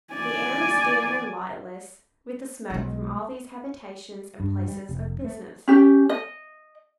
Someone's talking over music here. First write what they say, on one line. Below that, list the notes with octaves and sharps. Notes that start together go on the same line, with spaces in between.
The air is dim and lightless with the smoke from all these habitations and places of business.
D5 G#5
B1 G#3
G2
G3
F1
A3
C#4 G4
D#5